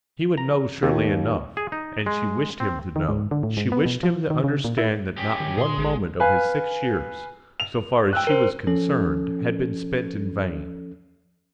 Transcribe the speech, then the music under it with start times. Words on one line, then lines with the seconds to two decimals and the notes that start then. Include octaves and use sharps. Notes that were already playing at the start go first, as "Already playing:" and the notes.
He would know surely enough, and she wished him to know; she wished him to understand that not one moment of his six years, so far as she was concerned, had been spent in vain.
0.38 A#5
0.83 D#2
1.57 G#4
1.72 D#4
2.06 G#3
2.60 C4
2.96 D#3
3.09 G#2
3.31 D3
3.43 A2
3.57 G#2
3.72 B3
3.86 B2
4.03 F3
4.30 D#3
4.44 C#3
4.64 A#2
4.78 E4
5.18 C#4 G4
5.40 D#3
5.57 A#2 G#4 C6
5.78 A1 G#3
6.20 B4 F5 G#5
7.60 F7
8.13 G5 E6 F#6
8.27 A#4 C5
8.67 F3 C#4 A4